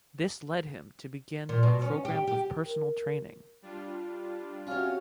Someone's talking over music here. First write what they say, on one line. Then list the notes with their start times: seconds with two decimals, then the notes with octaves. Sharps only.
This led him to begin a program of personal training.
1.49 A#2
1.63 B2
1.82 C#4
2.05 G4
2.27 G4
2.66 A#4
3.62 G3 D4 F4
4.67 C3 C#4 F4 F#4 C#5